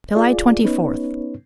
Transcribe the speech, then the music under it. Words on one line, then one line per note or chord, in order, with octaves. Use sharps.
July Twenty-fourth.
F4 G#4 D5
B3 C#4 D#4 B4 C#5